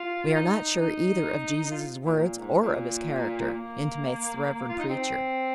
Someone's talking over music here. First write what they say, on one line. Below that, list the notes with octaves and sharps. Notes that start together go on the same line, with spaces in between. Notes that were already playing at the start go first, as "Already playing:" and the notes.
We are not sure either of Jesus' words or of his character, intimates the Reverend preacher.
Already playing: F4
D#4
D#4
F4
A#2
A#2
G#2
A#2
A#3
F4
D#4
C4